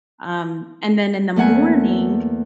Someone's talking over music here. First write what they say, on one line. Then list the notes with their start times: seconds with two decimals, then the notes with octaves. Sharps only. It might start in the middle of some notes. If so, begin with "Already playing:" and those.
um, and then in the morning,
1.36 E2 A3 A#3 F#5 G#5